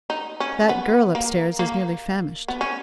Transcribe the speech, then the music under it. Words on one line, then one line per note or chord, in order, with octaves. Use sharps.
"That girl up-stairs is nearly famished."
D#4
C#4
B3
A#3
A#3
B3
C#4